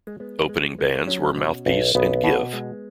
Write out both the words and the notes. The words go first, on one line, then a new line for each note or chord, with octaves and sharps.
Opening bands were Mouthpiece and Give.
G#3
G#3 B3
G#3
G#3
F#3 C#4
B2
B1
B1 B3
B2
G#3